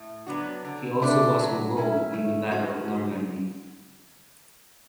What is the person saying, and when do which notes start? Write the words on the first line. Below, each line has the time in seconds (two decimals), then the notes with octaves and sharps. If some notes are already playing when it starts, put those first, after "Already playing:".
He also was involved in the Battle of Normandy.
Already playing: A2
0.26 F#3 B3 D4 F#4
0.65 D3
1.02 A3 D4 G4
1.40 F#3
1.77 C#4 E4
2.13 A3
2.51 C#4 F#4